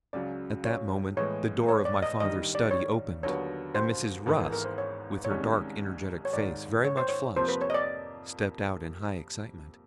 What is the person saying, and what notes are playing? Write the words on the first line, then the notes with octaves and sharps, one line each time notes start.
At that moment the door of my father's study opened, and Mrs. Rusk, with her dark energetic face very much flushed, stepped out in high excitement.
C#2 C#3 F#3 D5
C#5
A2 E3 G#3 B3 C#5
C#5
D5
D#5
G2 D#3 G3 D#5
D5
C#5
D#2 D3 F#3 B3 C#5
C5
G#1 G#2 E3 G#3 B3 A#4
A4
A#4
C5
C#5
C#5
C2 C3 D#3 G#3 C#4 D5
C#5
G#1 G#2 D#3 D5
C#5
C5
C#5
F2 C3 F3 A#3 C5
B4
C#5
D#5
D5